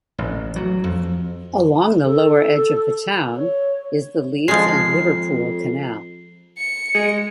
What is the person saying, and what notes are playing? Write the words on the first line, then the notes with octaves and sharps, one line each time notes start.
Along the lower edge of the town is the Leeds and Liverpool Canal.
A1
F#3
F2
A4
C#5
F2 F3 G#3 C7
C#7
G#3